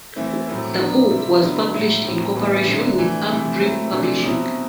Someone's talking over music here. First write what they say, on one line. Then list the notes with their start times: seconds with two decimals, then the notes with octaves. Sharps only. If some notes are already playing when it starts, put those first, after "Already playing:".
The book was published in cooperation with Arc Dream Publishing.
0.16 E3 A3 C4 E4
0.47 A2 F#3 A3 C4 E4
0.79 F#3 B3 D4
1.10 C3 G3 C4 E4
1.41 D3 F#3 B3 E4
1.72 A2 F#3 A3 E4
2.04 A2 F#3 C4
2.35 A2 E3 G3 B3 E4
2.66 D3 F#3 C4 E4
2.98 E3 A3 D4
3.29 C3 E3 A3 E4
3.61 F#3 A3 C4 E4
3.91 C3 E3 A3 D4
4.23 B2 F#3 C4 E4